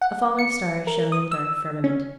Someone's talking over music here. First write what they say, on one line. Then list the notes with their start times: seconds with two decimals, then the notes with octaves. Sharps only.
A falling star shone in the dark firmament.
0.01 F#5
0.39 C#7
0.87 A#4
1.12 D#6
1.32 E6
1.84 C#4